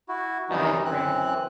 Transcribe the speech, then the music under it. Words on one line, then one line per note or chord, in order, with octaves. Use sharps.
I agree.
E4 F#4
F#2 C3 E3 G3 D#4
F#2 E3 C4 F#6